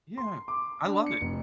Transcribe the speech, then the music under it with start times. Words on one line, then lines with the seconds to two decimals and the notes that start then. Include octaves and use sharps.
Yeah, I love it.
0.17 C6
0.48 D6
0.84 D4
1.06 C#7
1.21 F1